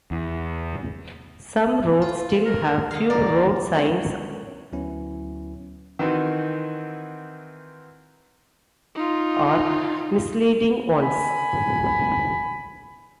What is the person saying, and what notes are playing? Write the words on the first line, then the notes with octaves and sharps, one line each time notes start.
Some roads still have few road signs or misleading ones.
E2
F4
A#4
D#5 F5
A#4 D5
G#3 B3 C#4 A#4 B4 C#5
D2 F#3 B3 C#4 E4
D#3 E3 C4 F#4
D#4 F4
G#5 B5